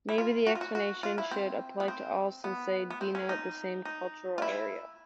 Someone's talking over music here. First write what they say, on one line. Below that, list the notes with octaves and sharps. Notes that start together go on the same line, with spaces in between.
Maybe the explanation should apply to all since they denote the same cultural area.
E4
F4
F#4
F4
F#4
F#4
F4
E4
C4
B3
C4
B3
B3
C4
C#4
D#4
D#4
F4
E4